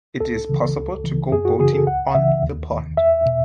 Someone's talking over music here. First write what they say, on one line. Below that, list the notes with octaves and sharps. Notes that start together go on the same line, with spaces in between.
It is possible to go boating on the pond.
C#2 A4
C#3 E3
C#2
C#3 E3
F#2 G#4
F#4
C#3 E3 G#4
A4
C#2 F#5
C#3 E3 E5
D#2
D#3
E2 E5
B2